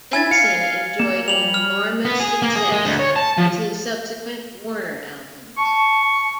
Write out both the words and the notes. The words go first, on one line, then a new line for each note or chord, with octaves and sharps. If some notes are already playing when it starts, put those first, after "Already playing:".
Benson enjoyed enormous success with his subsequent Warner albums.
E4 G#5 G#6 A6
F5 C#7
A#3 E7
G3 F7 F#7
F6
B3
G#4
A#3
G#4
G#3
D2
C#5
A5
F3
A5 C#6